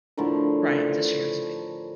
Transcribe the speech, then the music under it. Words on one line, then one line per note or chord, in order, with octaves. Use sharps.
Right. It's a shared spa
A2 D3 F3 A#4